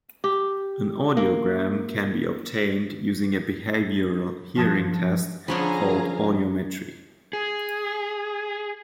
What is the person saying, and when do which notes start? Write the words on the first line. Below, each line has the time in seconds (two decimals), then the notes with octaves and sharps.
An audiogram can be obtained using a behavioural hearing test called Audiometry.
0.24 G4
1.17 A#3
4.56 G2 F3 A5 D#6 G#6
5.48 D3 F3 C#4 D4 G#4 F5 A#5 B5
7.33 G#4